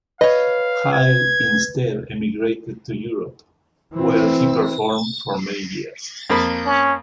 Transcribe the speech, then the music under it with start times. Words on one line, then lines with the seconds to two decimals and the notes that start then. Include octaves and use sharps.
Height instead emigrated to Europe, where he performed for many years.
0.21 B4 C#5 D#5 F5
0.93 G#6
3.94 E3 C4
6.30 F2 A#3 B5
6.66 C#4